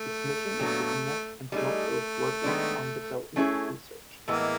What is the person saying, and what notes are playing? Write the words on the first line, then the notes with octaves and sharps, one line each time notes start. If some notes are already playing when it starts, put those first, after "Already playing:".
Its mission is to connect and promote those working on development research.
Already playing: A3
A#2 F#3 B3 D4
G3 A3 B3 D#4 G#4
D#3 G#3 B3 D4
A3 C#4 E4 G#4
A2 E3 G#3 A#3 B3